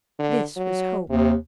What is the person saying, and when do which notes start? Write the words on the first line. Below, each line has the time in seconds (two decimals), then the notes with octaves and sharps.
This was Hope.
0.19 D3
0.57 F#3
1.10 D#2 C3